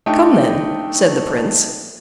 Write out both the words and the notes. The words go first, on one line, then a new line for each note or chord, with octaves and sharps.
"Come, then," said the prince.
A3 D4 D#4 G5